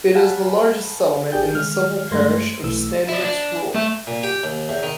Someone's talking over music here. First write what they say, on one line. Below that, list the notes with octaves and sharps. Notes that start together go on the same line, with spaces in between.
It is the largest settlement in the civil parish of Stanwix Rural.
F5 F#5 G#5 A5 B5
A1 D4 G4 G#4 G5 G6
D#3 G#3 F6
G2 G#3 A3 C6 G#6 A#6
B1 E3 A3 E6
D4 E4
D4
A3 E5
A#2
G4
D#2
E2
D#3